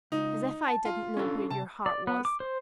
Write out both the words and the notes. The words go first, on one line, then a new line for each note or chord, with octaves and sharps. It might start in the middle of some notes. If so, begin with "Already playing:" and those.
As if I didn't know where your heart was.
C#2 D#4
A5
F4
C#4 D4 A4
C3 A5
D5
B3
D6
C5